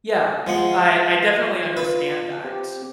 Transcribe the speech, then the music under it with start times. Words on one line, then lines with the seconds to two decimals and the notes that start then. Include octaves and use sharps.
Yeah, I I definitely understand that.
0.47 F3 G#3 F4 F#5
1.77 B4
2.45 C4 G4